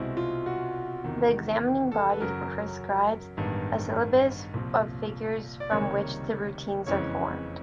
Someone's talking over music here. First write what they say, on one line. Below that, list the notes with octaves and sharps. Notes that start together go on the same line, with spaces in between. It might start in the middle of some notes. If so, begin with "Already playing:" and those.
The examining body prescribes a syllabus of figures from which the routines are formed.
Already playing: C2 B2 G#3 C4 E4
F4
F#4
E2 C3 D#3
A4
B4
F#2 C#3 F#3 A#4
A1 G2 D#3 G#3 B3
C2 A#2 F3
D5
C#2 C3 D#3 G3 A#3 C#5
F#1 F2 C#3 E3 G#3 C#5